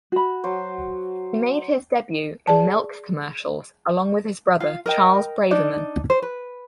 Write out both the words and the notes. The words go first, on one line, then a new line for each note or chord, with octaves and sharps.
He made his debut in milk commercials along with his brother Charles Braverman.
F#4 B5
F#3 C5
G#4 D5 A5
F4 F5
A#4 D#5 G5
D4 D#4 D5
C5
B4